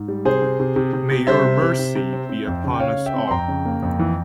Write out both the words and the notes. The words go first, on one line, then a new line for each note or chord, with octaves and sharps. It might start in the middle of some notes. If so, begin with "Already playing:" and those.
May Your mercy be upon us all.
Already playing: G#2
G3
C3 G#4 C5
C3
C3
C3
C3
C3
G3 C5 E5
C3
C3
C3
C3
C4
C4
F2
C#3
G5
C#3 C#5 F5
C#3
E5 G5
C4
C6
F2 G5 A#5
C#3
A#3
F2
E3